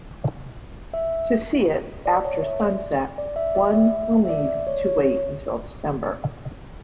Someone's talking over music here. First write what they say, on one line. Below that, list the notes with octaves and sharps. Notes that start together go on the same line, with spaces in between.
To see it after sunset, one will need to wait until December.
E5
D5
C#5
E5
D5
D5
E5
D5
E5
E5
D5
D5
C#5
C#5